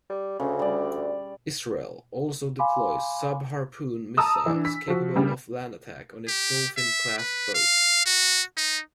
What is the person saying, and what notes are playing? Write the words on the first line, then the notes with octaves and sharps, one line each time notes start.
Israel also deploys sub-Harpoon missiles capable of land attack on its Dolphin class boats.
G3
D2 C#3
G3 D5
F5 G#5 B5 C6 D6
A5 A#5 D#6 E6
E3 D4
B6
F3 F#4
C#3 G3
G4
E5
B4
F5
F#4
D#4